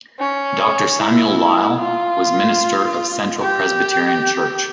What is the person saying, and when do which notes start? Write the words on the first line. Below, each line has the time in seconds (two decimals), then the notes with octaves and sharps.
Doctor Samuel Lyle, was minister of Central Presbyterian Church.
0.19 C#4
0.99 E4
1.79 F4
3.40 G4